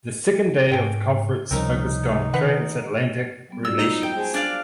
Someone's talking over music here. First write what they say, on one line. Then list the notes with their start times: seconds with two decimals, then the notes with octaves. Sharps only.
The second day of the conference focused on transatlantic relations.
0.72 G#2 G#4 G5
1.51 C#2 C3 F3 G3 C4 C#4 D#4 A#4
2.34 D#3 B4 F#5
3.49 F#3 G3 B3
3.65 F4 F#4 D5 E6
3.78 D#4 G4 C5
4.03 G5
4.16 G#3 C5 G#5 A5
4.34 D4 D5 F5